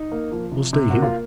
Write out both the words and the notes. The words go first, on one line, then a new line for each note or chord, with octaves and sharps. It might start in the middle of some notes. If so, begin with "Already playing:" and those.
We'll stay here.
Already playing: D#4
A#3
F3
C3
C3
A#3 F#4
F4